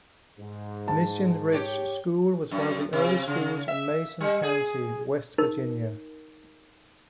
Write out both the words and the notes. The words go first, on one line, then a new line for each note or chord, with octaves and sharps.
Mission Ridge School was one of the early schools in Mason County, West Virginia.
G#2
A5
G4 C#5 G5
F#2
C3
C#3
E5
G3
G#4
D#4 A#4